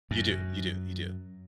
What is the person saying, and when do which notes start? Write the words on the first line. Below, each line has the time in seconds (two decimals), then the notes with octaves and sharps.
You do, you do, you do.
0.11 F#2